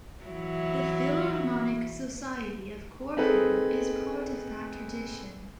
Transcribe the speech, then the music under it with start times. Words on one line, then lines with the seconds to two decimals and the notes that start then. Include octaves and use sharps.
The Philharmonic Society of Corfu is part of that tradition.
0.25 E3 F#3 E4
3.17 C4 D#4 G#4 A4 B4